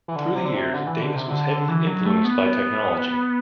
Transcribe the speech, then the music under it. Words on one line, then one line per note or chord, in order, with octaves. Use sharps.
Through the years, Davis was heavily influenced by technology.
E3
D3
C3
D3
C3
D3
E3
D3
C3
D3
D3
E3
F#3
A3
B3